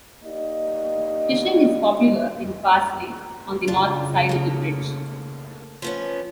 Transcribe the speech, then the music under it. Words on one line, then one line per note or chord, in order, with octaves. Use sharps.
Fishing is popular in Pass Lake, on the north side of the bridge.
A#3 D#4 G4 D5 D#5
C#3 D4 F4
A3 A#3
F3 B3 C#4